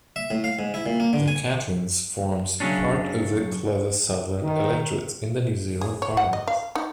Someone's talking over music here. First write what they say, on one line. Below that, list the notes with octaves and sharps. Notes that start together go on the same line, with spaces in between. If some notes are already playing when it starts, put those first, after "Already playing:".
The Catlins forms part of the Clutha-Southland electorate in the New Zealand Parliament.
E5
A2
F5
G#2
E4
A#2
A#3
D3
G#5
F#2 C#3 F3 F#3 C#4 D4
D#3
G#4
C#5
F#5
D#5
F5
D#4